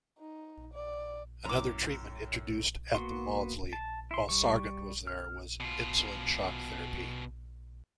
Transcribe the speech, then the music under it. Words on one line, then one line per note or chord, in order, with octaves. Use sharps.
Another treatment introduced at the Maudsley while Sargant was there was insulin shock therapy.
D#4
D5
F#2 A2 A#5 D6
A#3 B3 F#4 C6
A5
E4 C6
G3 C#6
F6
B2 F4